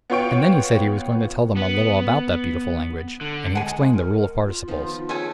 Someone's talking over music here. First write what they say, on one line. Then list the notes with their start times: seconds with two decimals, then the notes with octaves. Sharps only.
And then he said he was going to tell them a little about that beautiful language, and he explained the rule of participles.
0.10 B3 F4 C#5 G5 C#6 D7
1.56 B3
3.21 D3
3.55 G#3 F#5 G#5
3.93 A#4 C#6
4.45 F4
4.68 D#3 F3 B3
5.09 A3 C#4 G#4 G#5